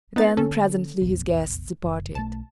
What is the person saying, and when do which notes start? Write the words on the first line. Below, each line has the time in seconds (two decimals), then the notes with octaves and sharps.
Then presently his guests departed.
0.16 B3 C4 D#4 A6
0.37 D3 A#3 C#4 A4
1.01 F1 A#1 E2
1.84 F#1
2.15 B1 A3 A5